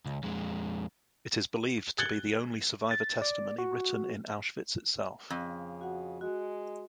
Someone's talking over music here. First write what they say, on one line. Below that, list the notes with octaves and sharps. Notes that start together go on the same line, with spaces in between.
It is believed to be the only survivor testimony written in Auschwitz itself.
C#2
F2 G#3
F#6 G#6 A6 C#7 F#7 G7
A6
D5
F#4
F2 C#3
F#4 F#5
G#3 F#4